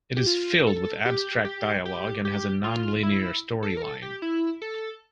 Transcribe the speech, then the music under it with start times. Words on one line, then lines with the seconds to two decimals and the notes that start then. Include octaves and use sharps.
It is filled with abstract dialogue and has a non-linear storyline.
0.17 G4
0.26 F4
0.67 A4
1.06 G4
1.45 G4
1.85 G4
2.25 G4
2.64 F4
3.03 E4
3.63 A4
3.77 A#4
3.82 A4
4.02 G4
4.22 E4
4.62 A4